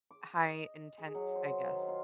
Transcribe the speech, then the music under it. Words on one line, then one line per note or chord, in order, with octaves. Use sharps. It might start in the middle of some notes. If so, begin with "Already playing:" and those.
high intense, I guess.
D6
D#5
G#4
F#3
C5
D#3
F4